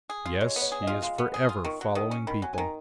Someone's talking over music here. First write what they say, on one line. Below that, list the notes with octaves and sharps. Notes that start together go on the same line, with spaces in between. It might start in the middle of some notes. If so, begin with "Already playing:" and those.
Yes, he is forever following people.
G#4
F4
G#3 C#5
B3
C#5
G#4
D#5
F4
D#5
G#3 F5
B3
G#4 D#6
F4
D#3 C#6
F#3
D#3 D#6
C#4
D#3 B5
F#3 G#5
G#5
D#3 A#5